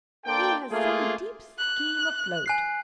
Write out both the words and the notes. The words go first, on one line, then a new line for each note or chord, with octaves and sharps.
He has some deep scheme afloat.
A#3 D4 A4 C5 D5 G5
A3 A#3 F4 G#4
F#6
G#5 F#6 C7